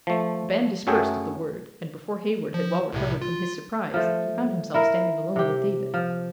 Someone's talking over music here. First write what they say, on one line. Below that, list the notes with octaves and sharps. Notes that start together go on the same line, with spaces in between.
The band dispersed at the word, and before Heyward had well recovered from his surprise, he found himself standing alone with David.
F3 A3
F#2 F#3 A3 G#4 E5 G5
F3
C2 A2 C3
F4
F3 A3 C5
E4 A#4 F5
C3 G4
F3